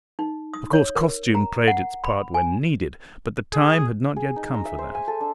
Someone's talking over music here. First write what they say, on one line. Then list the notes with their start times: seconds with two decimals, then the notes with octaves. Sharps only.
Of course costume played its part when needed, but the time had not yet come for that.
0.19 D#4
0.54 D#6
0.73 C#5
0.95 A#4
1.35 A#5
1.68 F#5
2.04 B5
2.34 G#5
3.53 G#4
4.16 G#4
4.36 D#4
4.54 A#5
4.65 E5
4.78 C5
4.95 G#5
5.08 A4
5.20 D4